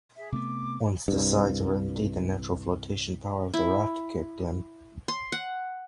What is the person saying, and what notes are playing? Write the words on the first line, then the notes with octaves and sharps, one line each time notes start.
Once the sides were empty the natural flotation power of the raft kicked in.
G#4 E5
C3 A3 B3 D6
C2 G2
E4
C6
F#5